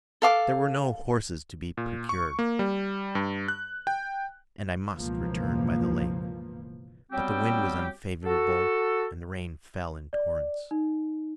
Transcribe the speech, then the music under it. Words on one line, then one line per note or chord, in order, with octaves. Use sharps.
There were no horses to be procured, and I must return by the lake; but the wind was unfavourable, and the rain fell in torrents.
A4 F5 D6
A#2
C#6
A#3
G3
G2
F#6
G5
C#2 G2 B2 E3 F3 A#3
F#3 G3 B3 C4 G4
F#4 A4
D5
D#4